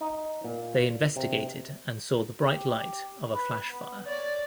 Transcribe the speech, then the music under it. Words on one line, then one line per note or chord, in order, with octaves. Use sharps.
They investigated and saw the bright light of a flash fire.
D#4
A#2
C3
G4
B4
B3
C#5 D5